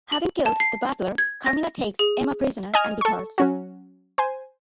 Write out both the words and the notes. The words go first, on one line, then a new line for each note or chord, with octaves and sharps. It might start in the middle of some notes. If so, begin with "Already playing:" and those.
Having killed the butler, Carmilla takes Emma prisoner and departs.
F#7
A5
C7
G#6
A#6
G#4
D#5 G#5 F6
A4 C#6
F#3 C#4 F#4
C5 G#5